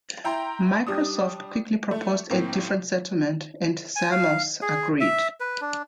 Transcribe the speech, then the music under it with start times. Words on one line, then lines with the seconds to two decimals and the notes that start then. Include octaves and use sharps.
Microsoft quickly proposed a different settlement, and Zamos agreed.
0.24 E4 G5 A#5 C6
0.87 G3 D4 D#6
1.91 A3
2.30 A2 A#3 C4
3.96 G#5
4.11 F5
4.62 G#4
5.00 E5
5.40 B4
5.61 D4